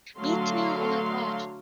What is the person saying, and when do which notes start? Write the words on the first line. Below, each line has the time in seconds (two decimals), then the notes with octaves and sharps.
Me too! Oh my gosh.
0.18 D3 F#3 A3 F5 C6